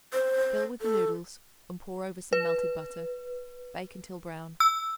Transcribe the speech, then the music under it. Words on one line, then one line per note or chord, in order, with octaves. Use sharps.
Fill with the noodles and pour over some melted butter. Bake until brown.
C5
A4
B4
E6